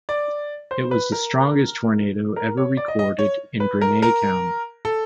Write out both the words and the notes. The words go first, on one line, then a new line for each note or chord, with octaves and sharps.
It was the strongest tornado ever recorded in Greene County.
D5
C5
B4
A#4
A#4
C#5
D5
D#5
D#5
C#5
B4
A#4
A#4
A4